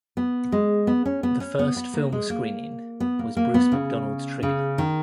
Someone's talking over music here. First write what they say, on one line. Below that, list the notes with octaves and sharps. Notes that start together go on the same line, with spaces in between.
The first film screening was Bruce McDonald's "Trigger".
B3
G#3
B3
C#4
B3
C#4
B3
B3
A#3
G#3
A#3
B3
A#3
A#3
B3
C#3
C#3
D#3